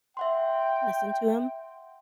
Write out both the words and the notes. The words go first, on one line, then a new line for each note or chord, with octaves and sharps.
listen to 'em,
E5 F#5 G5 C6